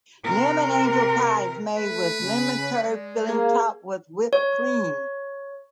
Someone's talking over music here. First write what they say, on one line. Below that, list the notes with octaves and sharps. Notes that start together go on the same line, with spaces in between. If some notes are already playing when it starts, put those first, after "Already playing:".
Lemon angel pie is made with lemon curd filling topped with whipped cream.
C3 A#4
A3 B4
C#3
G#3 D5
A#3 G#4 F5
C#5